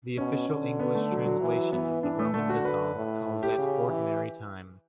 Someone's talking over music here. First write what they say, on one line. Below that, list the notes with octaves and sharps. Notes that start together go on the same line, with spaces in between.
The official English translation of the Roman Missal calls it Ordinary Time.
B2 C#4
D3
B3
A3
F#3
F#3
E3
E3 B3
E3 D4
A3
D3 A3
F#4
B4
A2
G4
C#3
E3